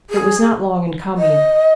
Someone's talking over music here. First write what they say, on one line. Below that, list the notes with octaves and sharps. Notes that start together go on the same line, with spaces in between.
It was not long in coming.
G#4
D#5